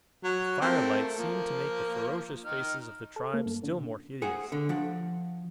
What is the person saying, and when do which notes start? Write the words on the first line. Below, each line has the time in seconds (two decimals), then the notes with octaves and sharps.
The firelight seemed to make the ferocious faces of the tribe still more hideous.
0.23 F#3
0.61 A3 A#3 C4 A4
1.18 F3 A#3
2.45 D#4 F6
3.16 A4
3.34 A#3
3.46 G2
3.63 D3
3.78 B2
4.22 G#4 C5 F#5
4.52 D3
4.69 F3 F#5